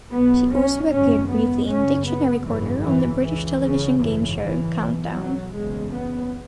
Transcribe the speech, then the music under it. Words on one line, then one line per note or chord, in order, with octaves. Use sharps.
She also appeared briefly in "Dictionary Corner" on the British television game show "Countdown".
B1 B2 B3
C#4
G#1 F#2 C#3 C#4
B3
F#1 F#2 C#3 C#4
B3
G#1 F#2 C#3 E3
E3
C#2 C#3 E3
C#3
G#1 F#2 C#3 E3
E3
B1 B2
F#3
F#1 E2 C#3 G#3
B3